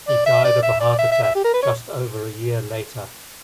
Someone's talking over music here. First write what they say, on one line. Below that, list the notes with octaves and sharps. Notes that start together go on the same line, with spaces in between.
He died of a heart attack just over a year later.
D5
E5
D5
E5
D5
E5
E5
E5
G4
A#4
B4
C#5